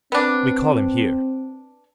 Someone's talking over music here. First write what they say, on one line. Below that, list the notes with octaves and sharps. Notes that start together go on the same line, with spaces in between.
We call heem here.
B3 C4 D4